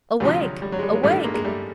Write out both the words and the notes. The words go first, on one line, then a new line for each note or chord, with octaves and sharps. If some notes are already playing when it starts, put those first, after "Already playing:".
"Awake, awake!"
D2 C3 F3 G3
F#3
G3
F#3
G#3
G3
F#3 G#3
A1 G2 D#3 G3 A3
G#3 A#3
G#3 A#3
G3 A3